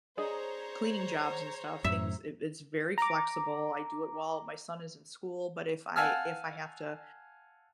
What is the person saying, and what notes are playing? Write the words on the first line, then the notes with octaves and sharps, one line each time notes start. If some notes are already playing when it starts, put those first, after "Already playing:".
cleaning jobs and stuff, things i it's very flexible. I do it while my son is in school, but if I if I have to,
D4 G#4 C5 C#5 D#5 A#5
F#2 A2 E5
A#5 D6
F5 F#5 G#5 A5 E6 F6